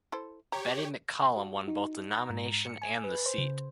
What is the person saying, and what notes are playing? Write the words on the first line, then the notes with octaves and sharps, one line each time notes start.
Betty McCollum won both the nomination and the seat.
E4 A4 C5
G4 C#5 A#5
F#4
D#4
A#5
G#2
C#7
G#5
B4
C5
C#3